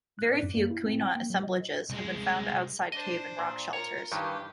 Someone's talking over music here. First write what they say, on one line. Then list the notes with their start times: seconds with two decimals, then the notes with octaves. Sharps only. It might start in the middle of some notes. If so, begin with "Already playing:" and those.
Very few Quina assemblages have been found outside cave and rock shelters.
0.19 F#6
0.31 D5
0.43 F#2
0.55 A#3
0.71 E4
0.86 C4
1.01 G5
1.15 A#3
1.30 F#3
1.44 D#5
1.90 C2 G#3
2.92 D4 C5 D#5
3.39 A#2
3.73 F4 A#4 C#5
4.12 G2 D#3 E3 G4